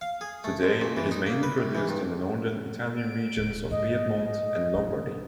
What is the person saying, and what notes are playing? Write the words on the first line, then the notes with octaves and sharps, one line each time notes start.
Today, it is mainly produced in the northern Italian regions of Piedmont and Lombardy.
F5
G#4
A3
G#2
A#2
E3
D#4
A#3
B4
C2
E3
G2
D7
D1
G#2 F#3 D#5
C3 F3